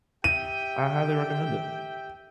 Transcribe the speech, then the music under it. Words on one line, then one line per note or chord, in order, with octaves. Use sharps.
I highly recommend it.
G4 E5 G5 D#7